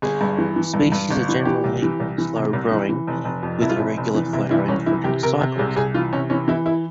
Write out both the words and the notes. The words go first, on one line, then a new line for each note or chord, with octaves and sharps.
Species are generally slow growing with irregular flowering and fruiting cycles.
G1 G#4
G2
E3
E3
G2
G2
G1
E3
E3 G4
C2
E3
C2
E3
C3
C2
E3
E3
F1
F1
F2
F1 E4
F4
F1 E4
F1
E3
C3 E4
E3 E4
C2 C#4
E3 E4
C3 G4
C3 A#4
C3
C2 G#4
C2 G#4
E3 F4
C3 C#4
E3 C#4
E3 E4
E4